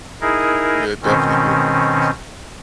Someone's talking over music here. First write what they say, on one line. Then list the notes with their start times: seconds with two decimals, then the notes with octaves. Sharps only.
Yeah, definitely good memories.
0.21 D#4 E4 G#4 A#4
1.02 B2 D#3 C4 C#4